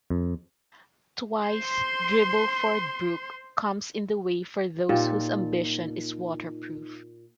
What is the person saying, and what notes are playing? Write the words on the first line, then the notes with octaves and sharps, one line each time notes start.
Twice Dribbleford Brook comes in the way for those whose ambition is waterproof.
F2
C5 C6
A#2 D#4 F4 G4